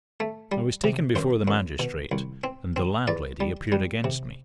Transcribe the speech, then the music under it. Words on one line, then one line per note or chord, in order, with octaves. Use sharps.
I was taken before the magistrate and the landlady appeared against me.
A3
G3
C3
F#2 C5
F#2
B2
C2
C4
C4
E2 D5
G3
G3
C3